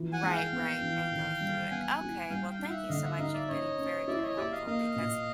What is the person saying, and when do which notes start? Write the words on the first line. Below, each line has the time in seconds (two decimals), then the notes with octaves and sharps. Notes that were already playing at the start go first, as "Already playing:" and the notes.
Right, right, and go through it. Okay, well thank you so much. You've been very, very helpful because
Already playing: E3 F3
0.13 F#5 G#5
0.23 G#3
0.33 F5 G5
0.52 B3
0.82 E3
1.12 D#3
1.41 G3
1.71 B3 F#5 G#5
2.01 E4
2.30 G3 F5 G5
2.50 F5 G5
2.59 D#4
2.69 E5 F#5
2.89 D3 D#5 F5
3.04 E5 F#5
3.19 D#4 D#5 F5
3.33 D5 E5
3.48 C#4 C#5 D#5
3.78 C#4
4.08 E4 D5 E5
4.22 C#5 D#5
4.37 G4 D5 E5
4.52 D#5 F5
4.66 A#3 D#5 F5
4.96 A#2